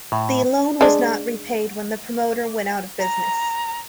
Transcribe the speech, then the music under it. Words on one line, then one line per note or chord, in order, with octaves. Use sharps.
The loan was not repaid when the promoter went out of business.
A2
G#3 D4
A#5